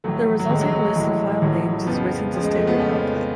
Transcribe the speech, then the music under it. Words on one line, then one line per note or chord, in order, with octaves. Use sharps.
The resulting list of file names is written to standard output.
A1 A2 F#3 A3
F#3
A1 A2 F#3 G#3
F#3
F#3
G#3
A1 A2 F#3
A1 A2 F#3
F2 C#3 F3 B3
F2 C#3 F3
G#3
A3
B3
F2 C#3 F3 C#4